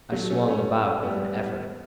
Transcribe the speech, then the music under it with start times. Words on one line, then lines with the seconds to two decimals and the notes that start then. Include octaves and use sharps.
I swung about with an effort.
0.12 F#3 A3
0.30 A3 C#4
0.48 A3 C#4
1.03 G3 B3